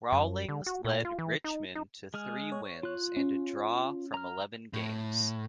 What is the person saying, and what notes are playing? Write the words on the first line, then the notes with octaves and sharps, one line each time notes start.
Rawlings led Richmond to three wins and a draw from eleven games.
F#2
D3
F#4
A#2
F4
E3
D#4
D#4
G#3 G#4 F6
C#5
F4 F#6
C#4
A#5 F6
A2